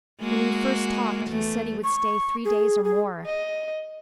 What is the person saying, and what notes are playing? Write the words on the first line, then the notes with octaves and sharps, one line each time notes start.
When he first talked he said he would stay three days or more.
G#3 A#3 F#4
E2 A3
C#6
G#4
G#4
D#5